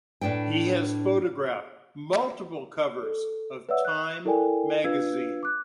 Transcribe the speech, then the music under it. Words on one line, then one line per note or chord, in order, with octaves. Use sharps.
He has photographed multiple covers of "Time" magazine.
A2 D4 B4 G5
A4
B4 C#5 D5 E5 F#5 E6
F#6
E4 A4 A#4 D5 G5 G#5
D4 F4 B4 F5 E6 G#6
D6 F#6